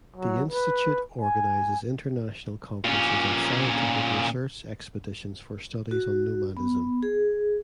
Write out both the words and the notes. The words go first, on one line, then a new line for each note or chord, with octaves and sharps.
The institute organizes international conferences and scientific research expeditions for studies on nomadism.
F#3
B4
G#5
A#2 C#4
F#4
B3
G#4